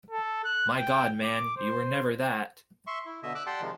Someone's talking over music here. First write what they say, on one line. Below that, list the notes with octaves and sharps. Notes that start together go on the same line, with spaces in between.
My God, man, you were never that.
A4
F#6
G5
D6
C5
E5 C6 C#6
E4
B2 D3 D#5 E5
D6 E6 F#6
G4 D5 F#5 G5 A5 C6
C3 D#3 F3 G#3